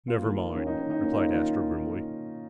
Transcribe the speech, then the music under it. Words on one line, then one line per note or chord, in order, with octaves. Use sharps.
"Never mind," replied Astro grimly.
A#3 F4
D#3
A#3
D#3 C#4
D#3 D#4
C#4
D#3 D#4
A#3 C#4
F4
A#3 D#4
D#3 F4